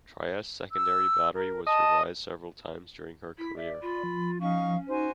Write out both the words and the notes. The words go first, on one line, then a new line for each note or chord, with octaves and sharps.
"Trieste"s secondary battery was revised several times during her career.
E6
A#4
D#5 A5
E4 B6
D5 E5
F4 B5
F3
C#4 D#4 F5 C#6
D#4 F#4 C5 G#5